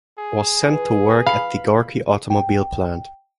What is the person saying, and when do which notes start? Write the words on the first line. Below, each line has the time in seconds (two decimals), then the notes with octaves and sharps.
Was sent to work at the Gorky Automobile Plant.
0.18 G#4
0.62 E3 B4
1.27 F5 B5
2.30 G5